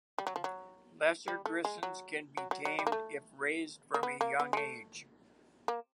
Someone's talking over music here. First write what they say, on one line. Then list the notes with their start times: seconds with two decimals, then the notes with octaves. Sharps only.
Lesser grisons can be tamed if raised from a young age.
0.18 G3
0.27 F#3
0.36 F3
0.44 F#3
1.28 G3
1.46 A3
1.65 G#3
1.83 F#3
2.37 F#3
2.51 F#3
2.65 F#3
2.79 G3
2.87 A#3
2.92 A3
3.94 A#3
4.03 B3
4.21 A#3
4.40 B3
4.53 G#3
4.57 A3
5.68 A#3